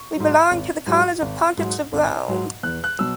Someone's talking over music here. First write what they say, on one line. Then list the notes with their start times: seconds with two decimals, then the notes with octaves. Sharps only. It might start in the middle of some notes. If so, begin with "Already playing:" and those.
We belonged to the college of pontiffs of Rome.
Already playing: C#6
0.16 G#2 F#3
0.51 G#1
0.86 G#2 F#3
1.22 G#1
1.57 G#2 F#3
1.93 G#1
2.28 G#2 F#3
2.63 E2 F#6
2.84 F#6
2.99 B2 F#3 E6